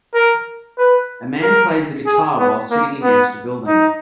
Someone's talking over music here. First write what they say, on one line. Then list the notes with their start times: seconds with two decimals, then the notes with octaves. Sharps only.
A man plays the guitar while sitting against a building.
0.14 A#4
0.78 B4
1.42 A#4
2.06 G#4
2.38 B3
2.71 A#3
3.02 B3
3.67 D#4